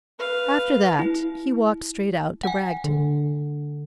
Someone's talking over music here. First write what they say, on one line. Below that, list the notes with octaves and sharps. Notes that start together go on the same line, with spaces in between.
After that he walked straight out to Bragton.
B4 F5
E4
F#5 G#5
D3